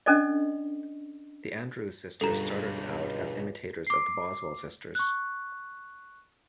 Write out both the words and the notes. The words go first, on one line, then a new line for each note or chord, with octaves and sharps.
The Andrews Sisters started out as imitators of the Boswell Sisters.
C#4 D4 A4 D5 D#5
C#2 G2 B2 D3 A4 A#5
D6 C7
C#6 F#6